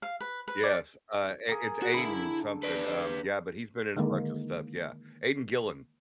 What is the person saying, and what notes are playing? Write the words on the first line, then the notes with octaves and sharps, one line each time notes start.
Yes, uh, i it's Aidan-something, um, yeah, but he's been in a bunch of stuff, yeah. Aidan Gillen.
F5
B4
B4
D5
G#4 A#4
F#4
D3 E4 A4 B5
B4 D5
D3 D#3 G#3 A#3